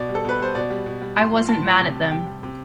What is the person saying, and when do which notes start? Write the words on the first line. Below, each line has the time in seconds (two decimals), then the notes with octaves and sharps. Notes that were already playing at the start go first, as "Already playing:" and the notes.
I wasn't mad at them.
Already playing: B2 D5
0.09 G3
0.15 A4
0.25 B2 B4
0.40 G3 C5
0.55 B2 D5
0.70 G3
0.86 B2
1.02 G3
1.18 A2 C6
1.33 F3
1.49 A2 A5
1.65 F3
1.81 C3
1.96 G3
2.11 C3 G5
2.27 G3
2.43 C3